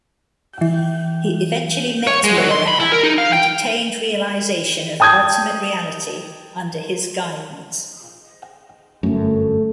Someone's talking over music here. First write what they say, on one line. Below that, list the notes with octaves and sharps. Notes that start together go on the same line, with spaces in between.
He eventually met Milarepa and attained realization of ultimate reality under his guidance.
E3
C#5
G#3
F#3
C6
B5
E4
A#4
D#4
F5
G5
G5 A5 D#6 G6 G#6
G1 F#2 A3